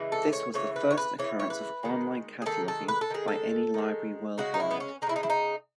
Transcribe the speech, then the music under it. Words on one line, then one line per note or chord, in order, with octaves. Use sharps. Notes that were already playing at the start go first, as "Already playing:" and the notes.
This was the first occurrence of online cataloging by any library worldwide.
Already playing: C#3 E3 G#3
A4
C#5
C#3 E3 C#5
B4
C#5
B4
C#3 E3 C#5
C#5
B4
D#3 G#3
G#4
D#3 G#3 A4
A4
B4
A4
D#3 G#3 G#4
A4
D#3 G#3
C#3 G#3 F#4
D#4
E4
B3
C#4
C#3 G#3 D#4 E4
D#4
E4
D#4